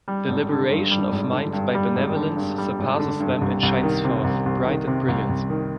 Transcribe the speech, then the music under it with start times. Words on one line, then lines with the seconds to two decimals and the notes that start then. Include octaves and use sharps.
The liberation of mind by benevolence surpasses them and shines forth, bright and brilliant.
0.08 G3
0.28 G#1
0.49 D3
0.70 G2
0.91 G3
1.12 G#1
1.33 D3
1.53 G2
1.75 G3
1.95 G#1
2.16 D3
2.37 G2
2.58 G3
2.79 G#1
3.00 D3
3.20 G2
3.41 C2
3.63 C2
3.83 D#3
4.04 C3
4.24 C2
4.46 C2
4.67 D#3
4.87 C3
5.08 C2
5.29 C2
5.50 D#3